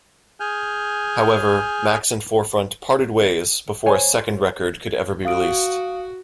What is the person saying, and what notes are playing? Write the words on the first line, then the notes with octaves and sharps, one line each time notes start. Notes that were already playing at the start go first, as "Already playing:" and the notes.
However, Max and Forefront parted ways before a second record could ever be released.
G#4 G#5 F6 G6
C5 C#5 G#5
F#4 F5 D#6 D7